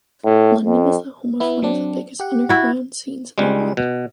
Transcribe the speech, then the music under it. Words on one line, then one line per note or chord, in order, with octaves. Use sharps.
London is the home of one of the biggest underground scenes in the world.
A2
F2
B3 E4
F#3 C4 D4
G4 F#5
E4 F#4
C#2 G3 G#3
B2